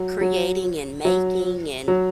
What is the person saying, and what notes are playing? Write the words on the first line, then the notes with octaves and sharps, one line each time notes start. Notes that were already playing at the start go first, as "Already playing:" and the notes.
creating and making and
Already playing: F#3
F#3
F#3
F#3